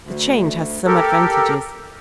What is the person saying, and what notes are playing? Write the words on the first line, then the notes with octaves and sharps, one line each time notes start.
The change has some advantages.
D2
G4 A4 A#4